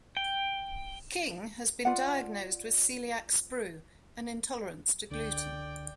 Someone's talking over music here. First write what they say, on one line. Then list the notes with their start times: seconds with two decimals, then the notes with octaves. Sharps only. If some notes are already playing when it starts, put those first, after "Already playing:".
King has been diagnosed with celiac sprue, an intolerance to gluten.
0.17 G5
1.85 F4 D5 F#5
5.11 C#2 D3 D5 G5